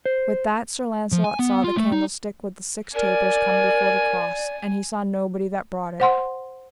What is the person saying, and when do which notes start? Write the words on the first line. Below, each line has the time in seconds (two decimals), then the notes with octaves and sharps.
With that Sir Launcelot saw the candlestick with the six tapers come before the cross, and he saw nobody that brought it.
0.06 C5
1.12 F3
1.24 G#5
1.39 B3
1.64 F4
1.77 A3
1.92 D#4
2.95 A#4 D5 G#5
6.00 C5 F#5 C6